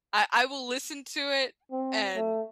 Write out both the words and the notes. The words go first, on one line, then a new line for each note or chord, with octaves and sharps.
I I will listen to it and,
C4
A3